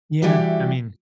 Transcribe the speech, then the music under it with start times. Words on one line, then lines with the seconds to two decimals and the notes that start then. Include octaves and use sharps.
Yeah, I mean
0.22 E3 G3 F#4 G4 E5